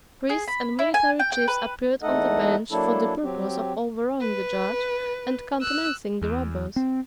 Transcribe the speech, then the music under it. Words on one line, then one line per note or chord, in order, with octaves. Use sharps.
Priests and military chiefs appeared on the bench for the purpose of overawing the judge and countenancing the robbers.
G#4
B5
E4
G#5
G5
G5
B4
E2 A3 D#4 A4 D#5 F#5
F#3 A#3 D4 E4 A4
F#3 C4 G4
B4
E6 F#6
E2
C4